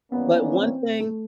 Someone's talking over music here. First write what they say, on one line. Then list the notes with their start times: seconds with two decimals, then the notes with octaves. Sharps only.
But one thing
0.11 E3 G3 A#3 B3 C#4
0.55 C4
1.00 A3